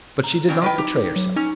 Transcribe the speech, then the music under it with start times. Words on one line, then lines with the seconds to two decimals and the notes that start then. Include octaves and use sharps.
But she did not betray herself.
0.24 A#5
0.48 C#3 C4 D4 E4
0.62 D#3 B4 G5
0.78 D#4 G4
1.16 F#3
1.36 C#4 D#4